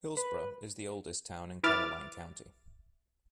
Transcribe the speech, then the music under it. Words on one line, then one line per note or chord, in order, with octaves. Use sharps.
Hillsboro is the oldest town in Caroline County.
B4
E3 B4 E5 D6 F6 A6